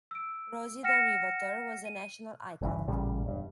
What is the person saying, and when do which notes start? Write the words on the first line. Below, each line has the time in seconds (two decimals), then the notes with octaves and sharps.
Rosie the Riveter was a national icon.
0.11 E6 D7
0.83 F#5 G5 F6 A#6 C#7 E7
1.85 D#7
2.61 F#1 G2 B2 E3
2.88 A1 A#2 C#3 G3
3.24 E1 G2